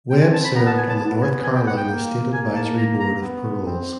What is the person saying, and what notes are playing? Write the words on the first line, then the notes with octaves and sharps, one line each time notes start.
Webb served on the North Carolina State Advisory Board of Paroles.
C4 G5
G#5
A5
B5
B3 A#5
A5
G#5
A5
B3 A5
G#5
G#5
G5
F#5
G5
A#3
A#3 G#5
A5
A#5
A#5
B3
C4